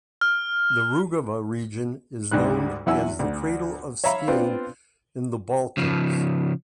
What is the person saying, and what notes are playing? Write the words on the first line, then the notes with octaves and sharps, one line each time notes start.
The Rugova region is known as the cradle of skiing in the Balkans.
F6
D2 G#2 G3 F#6
E2 F#3 E4 F#5 G#5 E6
D2
C#5 E5 F5 A#5 B5
B3 C4 D4 F4
C#3 F3